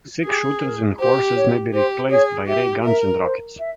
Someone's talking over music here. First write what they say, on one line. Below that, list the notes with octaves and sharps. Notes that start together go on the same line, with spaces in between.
Six-shooters and horses may be replaced by ray guns and rockets.
G4 G#4
A#4
G4 C5
C#5
G4 C5
G#4 C#5
G4 E5
A#4 E5
C5
E5